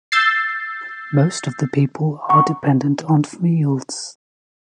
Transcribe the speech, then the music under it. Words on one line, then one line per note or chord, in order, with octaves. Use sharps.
Most of the people are dependent on fields.
E6 G6 A6 C7
F#5 A#5 C#6